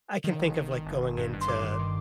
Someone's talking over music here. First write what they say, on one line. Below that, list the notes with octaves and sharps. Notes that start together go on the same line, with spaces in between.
I can think of, like, going into
D#3
G1
D#3
D#3
G1
G1
G2
G2
C6
G2 D6
D#3
D#3